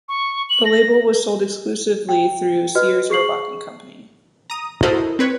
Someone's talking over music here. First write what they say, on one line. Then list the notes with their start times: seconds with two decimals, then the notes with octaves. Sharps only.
The label was sold exclusively through Sears, Roebuck and Company.
0.09 C#6
0.50 F#7
0.65 A#6
2.09 G5
2.75 F#4 B4 D#5 F6
3.10 G#4 C#6 C7 F#7
4.50 A#5 D#6
4.83 E4 F#4 A4 A#4 C5 D#5
5.19 C4 B4 C#5